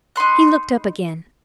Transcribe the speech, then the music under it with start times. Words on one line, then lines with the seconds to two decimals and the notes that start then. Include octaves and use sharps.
He looked up again.
0.16 D#4 B5 C6 F#6